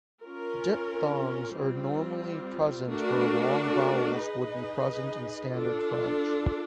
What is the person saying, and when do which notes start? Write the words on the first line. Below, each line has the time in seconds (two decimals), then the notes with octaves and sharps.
Diphthongs are normally present where long vowels would be present in standard French.
0.23 C#4 F4 A#4
1.56 G3 C4 F4
2.89 A3 D4 F#4 A#4
4.22 D#4 G#4 B4 D#5
5.55 D4 F4 A4